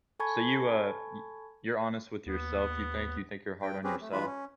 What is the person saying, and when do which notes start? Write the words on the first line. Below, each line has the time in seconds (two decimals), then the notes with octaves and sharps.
So you, uh, y you're honest with yourself, you think you think you're hard on yourself?
0.19 A4 G#5 A5 B5 C#6 G#6
2.26 D#2 B3
3.62 G2 G5
3.84 C4 C#4 G4 G#4 B4
4.01 A3
4.12 G2 E3 G#3 F4 B4 B5
4.26 C#4